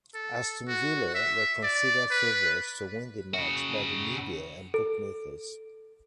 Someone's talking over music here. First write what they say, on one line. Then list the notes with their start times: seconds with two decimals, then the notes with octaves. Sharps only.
Aston Villa were considered favourites to win the match by the media and bookmakers.
0.15 A4
0.68 F#4
1.15 E5
1.63 D5
2.11 B4
3.34 C#3 F#4
4.74 A4